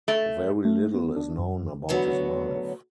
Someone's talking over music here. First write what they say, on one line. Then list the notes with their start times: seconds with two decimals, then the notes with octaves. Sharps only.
Very little is known about his life.
0.08 A3
0.65 A3
0.94 B3
1.16 D4
1.38 F#2
1.89 A2 D3 F#3 B3